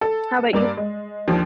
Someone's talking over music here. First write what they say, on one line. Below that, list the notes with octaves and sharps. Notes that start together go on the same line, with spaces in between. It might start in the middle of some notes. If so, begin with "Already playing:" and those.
How about you?
A4
G2 A#3 D5
G#3
D#2 F3 D4